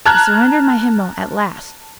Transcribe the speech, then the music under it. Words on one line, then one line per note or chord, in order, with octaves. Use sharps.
He surrendered my hymnal at last.
A5 A#5 F6 F#6 G#6